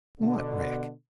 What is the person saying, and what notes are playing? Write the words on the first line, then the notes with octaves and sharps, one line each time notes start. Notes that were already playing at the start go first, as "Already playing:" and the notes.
"What wreck?"
B2 D3